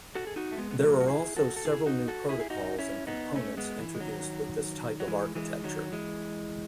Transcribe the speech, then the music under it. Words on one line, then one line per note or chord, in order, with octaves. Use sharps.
There are also several new protocols and components introduced with this type of architecture.
F#4 A4
G#4
D#4 F#4
A3
G#3 B3
B3
F#3 A3
F#4
E4 G#4
F#4 A4
A4
E4 G#4
D#4 F#4
F#4 A4
E4 G#4
G#4
D#4 F#4
C#4 E4
B3 D#4
A3 C#4
G#3 B3
E3
G#3
D#3 F#3
F#3
E3 G#3
E3 G#3
D#3 F#3
E3 G#3